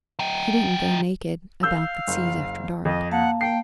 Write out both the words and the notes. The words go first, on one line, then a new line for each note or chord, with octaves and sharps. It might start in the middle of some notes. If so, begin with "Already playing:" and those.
He didn't go naked about the seas after dark.
F#3 G5
F5 E6 G6
F#1
F2 D#5
A#3 F5 F#5 A5
G5 C7